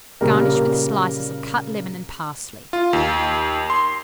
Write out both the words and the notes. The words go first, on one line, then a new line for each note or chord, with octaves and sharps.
Garnish with slices of cut lemon and parsley.
A#2 C#3 G3 A#3 A#4
F4
D#2
C6